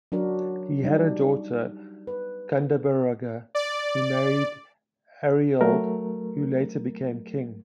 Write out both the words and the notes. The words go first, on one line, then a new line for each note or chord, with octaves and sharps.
He had a daughter Gundeberga who married Arioald who later became king.
F#3 D4 F#4 A#4
G3 D4 D#4
B4
D5
F#3 A3 A#4